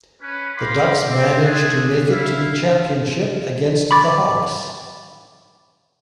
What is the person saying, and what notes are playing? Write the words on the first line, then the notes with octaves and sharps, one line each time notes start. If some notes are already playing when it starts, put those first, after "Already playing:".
The Ducks manage to make it to the championship against the Hawks.
C#4 B4
A#4 F5 G5 B5 C6 D6
C4
A3 D4 G#4
E4 E5 F5
B5 C#6 D6 A6